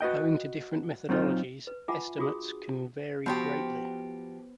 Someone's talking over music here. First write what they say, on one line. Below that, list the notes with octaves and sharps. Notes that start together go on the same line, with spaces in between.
Owing to different methodologies, estimates can vary greatly.
F#4 B4 D#5 G5
F#3 C4 D#4 F4
B4
F4 E5 F#5 G#5 A5 D6
D4 F4 F#4 G#4 D#6
F3 B3 F#4 G4 C5